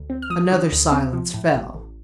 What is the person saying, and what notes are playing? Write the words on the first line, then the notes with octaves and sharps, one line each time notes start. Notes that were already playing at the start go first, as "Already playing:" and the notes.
Another silence fell.
Already playing: D2
C4
F6
F3 D#6
D3
D2
C4
F3
A2
A1
A1